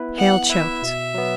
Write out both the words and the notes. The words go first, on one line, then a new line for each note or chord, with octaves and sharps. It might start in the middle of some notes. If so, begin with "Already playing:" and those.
Hale choked.
Already playing: B3 E4 B4
B3 F#5
E4 B4 E5
B2
F#3 B3